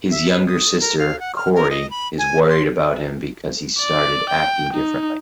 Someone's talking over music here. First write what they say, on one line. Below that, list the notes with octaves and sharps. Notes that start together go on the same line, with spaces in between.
His younger sister, Corey, is worried about him because he started acting differently.
E5
B4
D#6
A#4
F5
F#5
F6
A#4
D#5
B5
G#5
C6
D5
G5
D#4